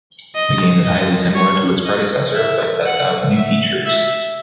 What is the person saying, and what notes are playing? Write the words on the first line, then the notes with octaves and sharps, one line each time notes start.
The game is highly similar to its predecessor, but sets out new features.
D#5
D#5
C#5
D#5
E5
F#5
E5
E5